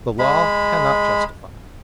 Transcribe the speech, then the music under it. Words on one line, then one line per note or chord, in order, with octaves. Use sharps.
The Law cannot justify.
G#3 B5